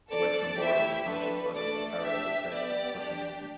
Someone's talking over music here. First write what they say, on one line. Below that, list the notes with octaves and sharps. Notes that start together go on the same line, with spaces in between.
The western border of the township follows the parallel crest of Tussey Mountain.
D4 A4 D5
A3 E4 G4 E5
D4 A4 B4
A3 D4 A4 D5
D4 G4 E5
B3 G4 D5
D4 G4